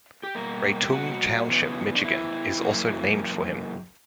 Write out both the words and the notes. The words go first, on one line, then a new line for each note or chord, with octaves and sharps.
Breitung Township, Michigan is also named for him.
G4
B2 G3 A#3 A#4
G4
F#4
C#3 E3 B3
D4
E4
F#2 C#3 E3 A#3